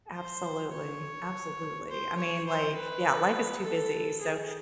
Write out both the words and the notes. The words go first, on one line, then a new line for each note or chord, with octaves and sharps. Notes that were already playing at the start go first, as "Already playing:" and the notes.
Absolutely, absolutely, I mean, like, yeah, life is too busy, so
C5
C#5
C5
C#5
C5
B4
A4
G#4